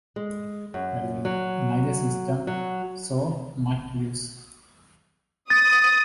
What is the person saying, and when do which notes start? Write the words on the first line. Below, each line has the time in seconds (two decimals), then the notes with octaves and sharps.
Neither system saw much use.
0.16 G#3
0.74 F#2
1.25 F#3
2.47 F#3
5.50 D#6 A6